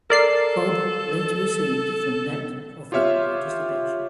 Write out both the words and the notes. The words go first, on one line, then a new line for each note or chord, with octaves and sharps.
Cobb later received some net profit participation.
A4 A#4 D5 C7
F4 G4 C#5 E5 F6